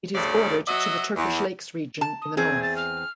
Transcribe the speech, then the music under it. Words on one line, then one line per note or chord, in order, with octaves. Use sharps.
It is bordered to the Turkish Lakes Region in the north.
D2 G2 C#3 A3 D5
F#3 F#4 D#5 E5
E2
A5
D#6
E2 C4 G#4 G#6
A6
F6